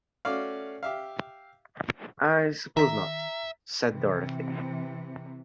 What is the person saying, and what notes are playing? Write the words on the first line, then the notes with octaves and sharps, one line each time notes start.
"I suppose not," said Dorothy.
A3 C#4 F#4 D5 F5
G4 E5 F5
D#3 E5 A#5 B6
C3 E3